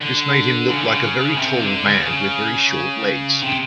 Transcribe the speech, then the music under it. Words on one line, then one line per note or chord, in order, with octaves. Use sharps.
This made him look like a very tall man with very short legs.
D3
C#3
D3
C#3
C3
D3
C#3
C#3
C3